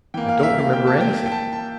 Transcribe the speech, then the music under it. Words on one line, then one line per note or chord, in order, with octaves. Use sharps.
I don't remember anything.
E3 A#3 G5
F5
F5
E5
F5
G5
A5
G5
G5
A5
A5